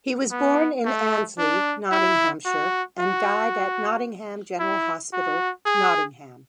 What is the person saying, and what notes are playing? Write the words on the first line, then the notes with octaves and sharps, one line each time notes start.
He was born in Annesley, Nottinghamshire and died at Nottingham General Hospital, Nottingham.
B3
A3
D4
E4
F#4
F#4
E4
F#4
G#4